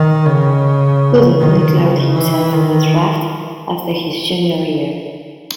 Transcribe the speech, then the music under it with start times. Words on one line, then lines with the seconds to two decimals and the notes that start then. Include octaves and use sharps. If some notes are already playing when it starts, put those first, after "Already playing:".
Gooden declared himself for the draft after his junior year.
Already playing: D#3
0.26 C#3
1.39 D#3
1.77 C#3
2.15 E3
2.53 D#3